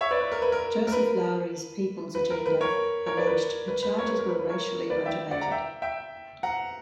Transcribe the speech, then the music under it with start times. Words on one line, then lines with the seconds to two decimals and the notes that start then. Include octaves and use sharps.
Joseph Lowery's People's Agenda alleged the charges were racially motivated.
0.01 C#5 E5
0.11 B4 D5
0.21 B4
0.32 A#4
0.42 B4
0.52 A#4
0.87 A#4
0.92 B4
2.15 B4
2.30 A#4
2.46 B4
2.61 A#4 C#5
3.06 A#4 C#5
3.17 B4 D5
3.27 B4
3.68 B4
3.83 B4
3.98 A#4 C#5
4.08 B4
4.19 A#4
4.29 B4
4.39 B4
4.49 A#4 C#5
4.90 B4 D5
5.06 E5 G5
5.31 D5 F#5
5.41 F#5 A#5
5.51 E5 G5
5.82 E5 G5
6.43 F#5 A#5